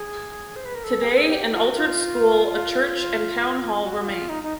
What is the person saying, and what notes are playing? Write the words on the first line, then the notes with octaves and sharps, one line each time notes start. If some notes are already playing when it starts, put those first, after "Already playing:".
Today, an altered school, a church and town hall remain.
Already playing: G#4
C5
B4
A#4
A4
G4
G#4
A4
G#4
G4
F4
F#4
F4
F4
F#4
F#4
F4
D#4
D#4